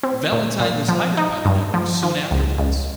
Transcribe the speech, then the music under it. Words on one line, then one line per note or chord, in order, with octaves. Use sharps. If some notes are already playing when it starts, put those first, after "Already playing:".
Valentine was hired by the network soon afterwards.
C4
A#2
A#2
F3
D#4
G2
F3
F3
C#2
C#2